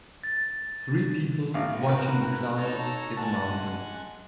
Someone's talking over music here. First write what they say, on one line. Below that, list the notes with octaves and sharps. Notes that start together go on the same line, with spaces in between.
Three people watching the clouds in the mountains.
A6
A1 F5
C4 F#4 A#4 B4 F#6
D#4 A4 C#5 A5 A#5
G#3 F#5 G#5 A5